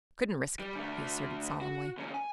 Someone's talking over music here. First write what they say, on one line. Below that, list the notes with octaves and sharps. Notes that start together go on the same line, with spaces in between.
"Couldn't risk it," he asserted solemnly.
G3
D3 A3
F#4
D#2 C#3
G#5